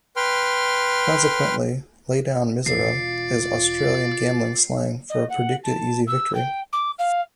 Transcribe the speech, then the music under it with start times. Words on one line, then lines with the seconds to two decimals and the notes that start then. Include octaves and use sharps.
Consequently, 'lay down misere' is Australian gambling slang for a predicted easy victory.
0.16 B4 G5 C6 F6
2.66 E1 F4 D5 C7
5.09 D#5
5.29 F#5
5.63 A5
6.07 E6
6.34 G5
6.72 D6
6.98 F5